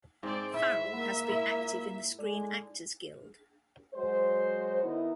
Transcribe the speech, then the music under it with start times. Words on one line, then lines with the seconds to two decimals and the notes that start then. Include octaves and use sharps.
Farrell has been active in the Screen Actors Guild.
0.23 G#2 C4 D5
0.54 E4 C5 E5
0.93 A#3 F#5 B5
1.29 E4 A#4 B5
2.19 G#3 A4 D5
3.94 F#3 G#3 F#4 C5
4.82 D#3 B3 D#4 E4